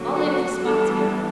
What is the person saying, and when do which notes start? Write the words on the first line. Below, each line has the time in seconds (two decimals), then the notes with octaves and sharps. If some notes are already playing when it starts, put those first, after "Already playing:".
All in if he spots me.
Already playing: D3 F#3 A#3
0.15 F#4
0.60 E3 G3 B3 D4 A4